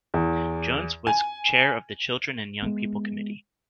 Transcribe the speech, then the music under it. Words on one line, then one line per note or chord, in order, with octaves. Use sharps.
Jones was Chair of the Children and Young People Committee.
E2
G#5
G#3 A#3 B3